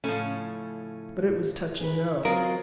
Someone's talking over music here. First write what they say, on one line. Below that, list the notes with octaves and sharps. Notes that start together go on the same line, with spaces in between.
But it was touch and go!
A2 C#3 F3 A3 C#4
G#4 B4
F#3 G#3 C4 F4 A#4